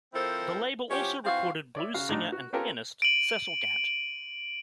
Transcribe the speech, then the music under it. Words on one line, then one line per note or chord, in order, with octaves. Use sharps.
The label also recorded blues singer and pianist Cecil Gant.
F3 C4 E4 A4 A#4 C5
F3 C#4 F#4 G4
E3 C4 F4 F#4 F5
C#5 D5 E5
C#3 F#4 F5
A2 D3 D4 D#4 A#5
F#4
B3 C#4 F4 G4 A4 A#4
D7 D#7 F#7